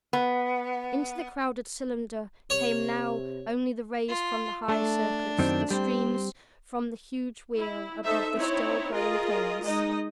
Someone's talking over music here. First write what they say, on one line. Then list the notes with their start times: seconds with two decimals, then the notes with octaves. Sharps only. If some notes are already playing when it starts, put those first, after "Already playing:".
Into the crowded cylinder came now only the rays from the high circlets, the streams from the huge wheel above the still growing cones.
0.13 B3
2.50 C3 C#5
4.09 F4
4.68 A3 D4 A4
5.39 F#2 D#3 C4
5.71 G3 C4
7.58 E4
8.05 D#4 A4 C5 E5
8.36 C4 D#4 E4 C#5
8.94 F4 G#4 A#4 D#5
9.65 G#3 D#4 D#5